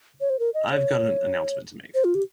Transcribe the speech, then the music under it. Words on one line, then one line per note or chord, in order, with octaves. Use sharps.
Iâve got an announcement to make.
C#5
C5
A#4
D#5
C#5
C5
F4
G4